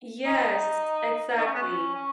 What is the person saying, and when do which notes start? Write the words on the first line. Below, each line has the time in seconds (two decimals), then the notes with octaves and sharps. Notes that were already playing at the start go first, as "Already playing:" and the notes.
Yes, exactly.
0.26 D#4
1.38 D#4
1.46 C#4
1.54 B3
1.62 C#4
1.94 C#4